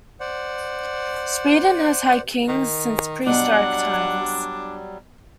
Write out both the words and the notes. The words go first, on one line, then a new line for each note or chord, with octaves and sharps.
Sweden has had kings since prehistoric times.
C5 D5 F#5
D#3
B2 F#3 G3 D4 F#5